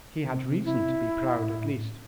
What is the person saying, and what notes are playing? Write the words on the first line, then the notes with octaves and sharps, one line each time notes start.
He had reason to be proud, at least.
C3 C4
E4
A2